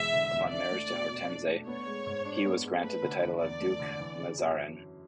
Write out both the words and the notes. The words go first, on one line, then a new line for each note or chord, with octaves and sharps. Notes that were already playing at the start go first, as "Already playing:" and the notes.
Upon marriage to Hortense, he was granted the title of "duc Mazarin".
Already playing: E1 E2 D3 G#3 E5
D3
E2
D4 D5
A3
B2
B2
D4
A3
B3 C#5
G#3
G#2
D4
B3
G#3
A3 B4
D3
E2
E2 D5
A3
D3
E3
C#3
F#2